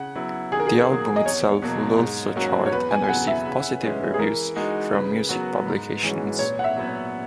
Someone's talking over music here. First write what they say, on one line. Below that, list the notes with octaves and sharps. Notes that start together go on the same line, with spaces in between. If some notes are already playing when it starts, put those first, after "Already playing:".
The album itself would also chart and receive positive reviews from music publications.
Already playing: C#3 F#5
F#3 B3 E4
D#3 G#4
A#4
G#4
F#3 A#3
D#5
E2 C#5
B2 F#3 A#3
G#2
F#3 A#3 C#4 F#4
C#5
E2 B4
G#5
G#5
C#3 F#3 B3 F#5
E5
C#3
G#3 C#4
G#4
E3 A#4
G#3 D#4 F#4
C#3 B4
F#3 B3 F#4
G#2
E3 G#3 C#4 F#4
A#2 C#5
F#5
E5
F#3 B3